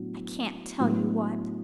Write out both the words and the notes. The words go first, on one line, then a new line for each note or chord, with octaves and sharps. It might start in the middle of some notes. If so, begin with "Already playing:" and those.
I can't tell you what.
Already playing: A2 F#3 B3 D4
A2 F#3 B3 D4